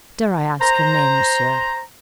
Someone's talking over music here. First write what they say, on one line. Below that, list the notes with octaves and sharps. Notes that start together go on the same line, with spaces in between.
Dare I ask your name, monsieur?'
C5 A#5